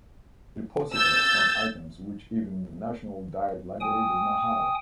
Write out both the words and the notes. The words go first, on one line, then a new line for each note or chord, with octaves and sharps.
It possesses some items which even the National Diet Library does not have.
E6 G6 A6
G5 G#5 D#6